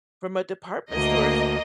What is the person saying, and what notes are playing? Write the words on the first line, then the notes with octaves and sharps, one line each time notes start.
from a department stores,
D2 A#3 D#5